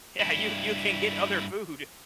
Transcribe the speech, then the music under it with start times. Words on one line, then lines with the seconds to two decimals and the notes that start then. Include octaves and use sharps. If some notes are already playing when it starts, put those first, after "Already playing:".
Yeah, you you can get other food.
0.20 G2 E4